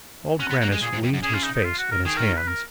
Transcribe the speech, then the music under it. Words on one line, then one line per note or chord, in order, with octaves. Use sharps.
Old Grannis leant his face in his hands.
C#4 F#4
B3
A#3
G#3
A#2 G#4
G#2
F2
F#2
C#3 G#4
F4
D#4
D#4
F4
F#4
A#4
D#3 G#4
A#4
A#4
B4
A#4